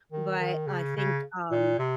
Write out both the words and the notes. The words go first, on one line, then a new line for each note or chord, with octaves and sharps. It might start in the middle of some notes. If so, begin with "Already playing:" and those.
but I think, um
D#3
D#3
C#3
C#3
A#2
C3